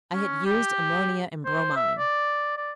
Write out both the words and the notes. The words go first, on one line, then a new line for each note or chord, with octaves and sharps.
I had used ammonia and bromine.
C#4
G4
C5
E5
D5
D5